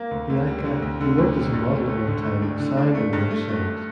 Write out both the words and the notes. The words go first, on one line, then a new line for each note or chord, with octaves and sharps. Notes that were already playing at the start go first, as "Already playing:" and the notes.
Bianca, who worked as a model at one time, sang and wrote songs.
Already playing: A#3
D2
D2
G3
D3
D2
D3
D2
G3
G2
A3
A3
D3
A3
D4
D3
D4
A3
G2
A3
A3
A3